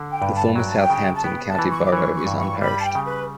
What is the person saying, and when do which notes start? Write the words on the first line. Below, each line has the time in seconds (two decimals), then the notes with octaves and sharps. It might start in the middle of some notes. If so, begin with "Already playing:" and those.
The former Southampton County Borough is unparished.
Already playing: D3
0.10 G5
0.22 G2
0.33 A5
0.56 F#3 G5
0.65 A5
0.76 G5
0.90 C#3
1.15 A5
1.23 B3 G5
1.47 A5
1.59 E3
1.70 C#6
1.83 D6
1.92 E3 C#6
2.15 C#6
2.27 G2
2.39 C#6
2.60 G3 B5
2.78 A5
2.84 G5
2.95 C#3
3.06 B4